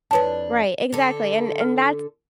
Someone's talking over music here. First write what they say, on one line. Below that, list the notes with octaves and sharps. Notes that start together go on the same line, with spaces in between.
Right, exactly, and and that's
F2 G#2 D4 B4 C#5 A5
D3 A4
F6